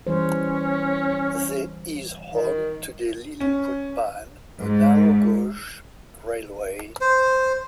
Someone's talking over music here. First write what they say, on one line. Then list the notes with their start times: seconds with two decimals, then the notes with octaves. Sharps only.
The is home to the Liliputbahn, a narrow gauge railway.
0.07 E3 G3 C#4 C5
2.30 D#3
3.40 C#4
4.60 G#2
7.01 C5